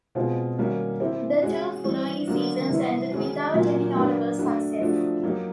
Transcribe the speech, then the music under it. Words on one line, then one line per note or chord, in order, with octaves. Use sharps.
The two following seasons ended without any notable success.
B2 G#3 C4 F4
D#3 G3 A#3 C#4 F#4
C4 E4 G4
G#3 C#4 F#4
E3 G3 C4
D3 F#3 A#3 D4 F#4
C3 E3 G3 B3 E4
D#3 G#3 C#4 F#4
A#2 F#3 A#3 C#4
F#3 A#3 D4 F#4 B4
A3 D4 F#4
F3 A3 D4 F#4
F#3 A#3 D#4 G4